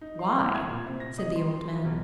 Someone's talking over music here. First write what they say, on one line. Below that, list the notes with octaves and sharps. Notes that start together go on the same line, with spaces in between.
"Why?" said the old man.
D#4
C6
E4
G#6
A#2
C3
A#6
D#5
C6
C6
F3
B1